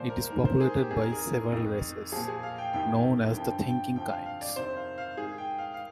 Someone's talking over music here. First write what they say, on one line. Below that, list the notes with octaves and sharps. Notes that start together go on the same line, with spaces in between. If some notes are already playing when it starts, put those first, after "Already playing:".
It is populated by several races, known as the "Thinking Kinds".
Already playing: A#2 F3 C5 D5
A#4
G#2 D#3 A#4
C5
G#4
G4
F2 D#3 G#4
A#4
G#4
F2 D#3
A#2 F3 G#4
G#4
F5
G5
F2 C3 D#3 G5
G2 D3 F3 G5
G5
F2 D3 F3 G5
F5
F5
D5
F2 C3 D#3 C5
F5
F5
G#2 D#3 G#4
G5
F5
F5